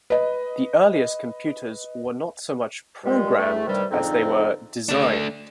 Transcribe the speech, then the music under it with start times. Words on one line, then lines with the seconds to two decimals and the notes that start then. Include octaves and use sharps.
The earliest computers were not so much "programmed" as they were "designed".
0.10 B4 D#5
3.04 G2 A#2 G3 G#3
3.37 E2 A3
3.66 G2 C3 D#3 G3
3.91 F2 G#2 D3 C4 D#4
4.89 A3 D4